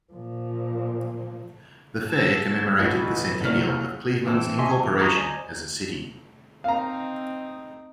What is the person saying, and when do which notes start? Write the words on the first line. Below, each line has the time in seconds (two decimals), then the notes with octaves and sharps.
The fair commemorated the centennial of Cleveland's incorporation as a city.
0.13 A#2 F3
2.06 A5 E6 A6
2.79 A1 B2 D3 E3
3.41 C2 C#3 F#3 A#3 F6
4.27 E3 C4 A4
4.59 D#5 E5 G#5 C6 C#6
4.78 E3
5.00 G#3 A#4 A#5 C#6 D#6
5.15 C5 D5 D#5 G#5 A#5
6.64 C4 D#4 F5 A#5